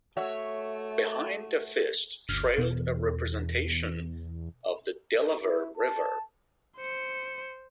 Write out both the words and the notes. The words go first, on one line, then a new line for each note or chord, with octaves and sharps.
Behind the fist trailed a representation of the Delaware River.
A3 F#4 C#5 E5
G1 D2 F6
E2 B2
E4
A5
C5 C#7